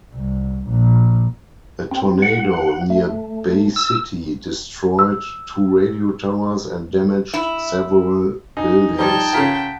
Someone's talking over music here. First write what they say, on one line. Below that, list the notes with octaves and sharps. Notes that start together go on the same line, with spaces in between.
A tornado near Bay City destroyed two radio towers and damaged several buildings.
C2
A#1
C4
F#5
A3
E6
E6
E4
D#4 G#5
F3 G3 G5 A5 A#5 D#6 G#6
C#3 F4 A#4 F#5 B6